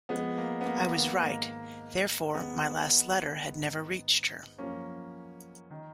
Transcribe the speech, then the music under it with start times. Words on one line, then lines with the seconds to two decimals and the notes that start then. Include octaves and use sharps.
I was right, therefore, my last letter had never reached her.
0.09 F2 F3 G#3 B3
0.38 A#3
0.61 B3
0.66 A#3
0.93 A#3
1.22 G#2 D#3 A#3
2.34 D#2 D#3 G#3 B3
3.46 G#2 D#3
4.58 F#2 F3 A#3 C#4
5.70 D#3